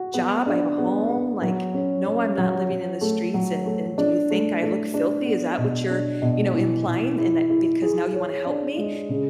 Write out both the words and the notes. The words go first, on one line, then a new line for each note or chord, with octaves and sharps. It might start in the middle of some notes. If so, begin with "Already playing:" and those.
job, I have a home, like, no, I'm not living in the streets, and and do you think I look filthy? Is that what you're, you know, implying in that because now you wanna help me?"
Already playing: F#4
B3
D4
B3
B3
F#3
C#4
C#4
F#3
F#3
A3
F#3
A3
D4
A3
A3
D4
B3
B2
D4
B2
E3
E3
E4
E4
G#4
C#5
D4
G#3
C#3